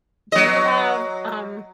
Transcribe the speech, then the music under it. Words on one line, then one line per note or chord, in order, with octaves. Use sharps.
Do you have, um,
F#3 D#5